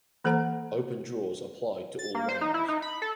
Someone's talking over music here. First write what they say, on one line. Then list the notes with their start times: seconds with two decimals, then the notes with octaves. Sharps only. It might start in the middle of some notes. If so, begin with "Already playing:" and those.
Open draws applied to all rounds.
0.24 E3 A#3 A4 C5 F#5 A#5
1.99 A6
2.15 A#3
2.29 C5
2.41 D#4
2.54 E4
2.68 D#4
2.82 B5
3.02 A4